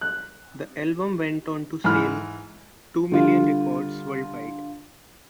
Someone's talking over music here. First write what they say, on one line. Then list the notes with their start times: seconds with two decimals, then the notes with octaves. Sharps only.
The album went on to sell two million records worldwide.
0.01 F#6
1.84 G#2 E3 B5 F6
3.12 D3 G3 F4